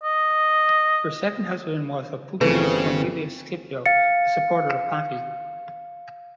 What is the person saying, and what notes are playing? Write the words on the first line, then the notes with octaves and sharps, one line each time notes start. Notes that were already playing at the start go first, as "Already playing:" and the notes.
Her second husband was a Publius Cornelius Scipio, a supporter of Pompey.
D#5
G1 C#3 E3 A3 C4 G#4 B4
F5 A6 C#7